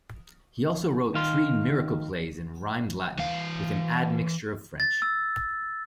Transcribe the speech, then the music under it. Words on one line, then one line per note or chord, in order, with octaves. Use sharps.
He also wrote three miracle plays in rhymed Latin with an ad-mixture of French.
D#3 F5 C6
E3 F5
A6
E6